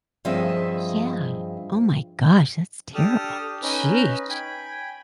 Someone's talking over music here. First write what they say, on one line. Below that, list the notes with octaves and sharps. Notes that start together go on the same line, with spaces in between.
Yeah. Oh my gosh, that's terrible. Sheesh.
G2 F3 C4 G#4 D#5 E5
D4 G4 A4 D#6 F6
C#4 D#4 B4
G5 G#5 B5